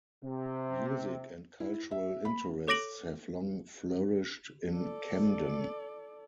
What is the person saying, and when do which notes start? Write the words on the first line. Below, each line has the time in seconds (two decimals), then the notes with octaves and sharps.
Music and cultural interests have long flourished in Camden.
0.24 C3
1.60 E4
1.91 E5
2.25 B5
2.68 A4 C#5 D6 A#6 D7 F#7
4.71 A4 D5